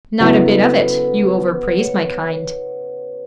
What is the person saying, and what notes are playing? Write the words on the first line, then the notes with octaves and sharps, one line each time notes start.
'Not a bit of it; you overpraise my kind.'
C#3 F#3 B3 E4 B4
A4
B4
B4
C#5